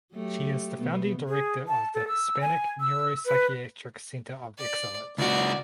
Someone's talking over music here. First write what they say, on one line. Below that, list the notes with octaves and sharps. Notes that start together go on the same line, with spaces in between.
She is the founding director of the Hispanic Neuropsychiatric Center of Excellence.
F#3 A3 G4
B2 A3 B3
G#4
A5
A4
E6
G#5
E6
B4
D5
C#2 F#4 D5